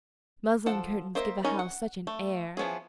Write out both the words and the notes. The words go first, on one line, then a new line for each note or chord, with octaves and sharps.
Muslin curtains give a house such an air.
F3 A4 F#5
A#3 C5 D#5 E5
C#4 D#4 A#4
F#5
A3
E3 F3 B3 C#4 G#4